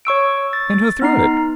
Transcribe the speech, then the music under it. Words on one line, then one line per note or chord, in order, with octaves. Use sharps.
"And who threw it?"
C#5 C#6 E6 D7
A6
B3 D#4 A#5 C7